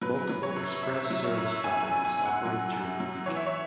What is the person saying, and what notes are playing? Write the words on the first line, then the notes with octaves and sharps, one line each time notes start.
Multiple express service patterns operate during peak.
F#3 B4
F#3
C#5
F#2
F#2 E5
E5
F#3
C#5
F#2
E5
F#2 G#5
G#5
F#2
G#5
F#2
F#5
F#3
F#2
F#3
E3 C#5
E5
C#5